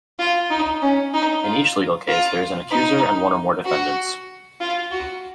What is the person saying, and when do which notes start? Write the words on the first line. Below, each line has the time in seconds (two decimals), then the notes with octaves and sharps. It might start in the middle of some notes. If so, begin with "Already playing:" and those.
In each legal case there is an accuser and one or more defendants.
0.19 F4
0.50 D#4
0.82 C#4
1.14 D#4
1.44 F4
2.08 F4
2.71 D#4
3.65 F#4
4.60 F4
4.92 F#4